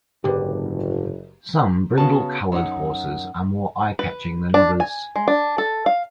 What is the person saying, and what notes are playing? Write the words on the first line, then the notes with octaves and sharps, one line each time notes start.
Some brindle-colored horses are more eye-catching than others.
F#1 C2 G#2 D3 G4 G#4 B4
C#3 B3 F#4 A5
F#2 D#4 F#5
B4
D4
G#5
G#3
D4
A4
F5